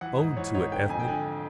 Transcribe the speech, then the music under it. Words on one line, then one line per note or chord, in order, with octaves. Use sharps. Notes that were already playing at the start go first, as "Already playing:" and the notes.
Own to it, Ethne!
E3 F#5
G#2
E3 C#5
G#2 C#5
D3 G5
F2 G#5
G5
D3 G#5